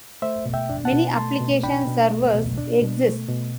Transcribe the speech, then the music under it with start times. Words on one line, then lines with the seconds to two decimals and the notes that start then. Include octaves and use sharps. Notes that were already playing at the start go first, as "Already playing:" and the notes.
Many application servers exist.
0.22 A3 C5 E5
0.46 B2
0.54 E5 G5
0.69 D4
0.85 F#5 A5
0.93 B2
1.16 A3 A5 C6
1.40 B2
1.63 D4 G5 B5
1.87 B2
2.10 A3
2.34 B2
2.57 D4
2.82 B2
3.04 A3
3.28 B2